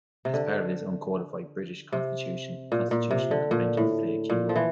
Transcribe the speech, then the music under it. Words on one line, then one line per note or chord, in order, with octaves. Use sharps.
As part of this uncodified British constitution, constitutional conventions play a key role.
C3
D3
C3
A#2
A#2
C3
D3
A#2
A2
A#2
F3
E3